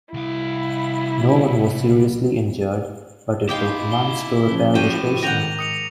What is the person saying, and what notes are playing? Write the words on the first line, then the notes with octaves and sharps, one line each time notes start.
No one was seriously injured, but it took months to repair the station.
C2 E4 F5
D#4 E4 F5 G5 C6 D6
G7
C#3 F3
A2 F#4 G5 D#7 E7
G#2 D#3 F#5 G5 A#6 F7
D#6 C#7 F7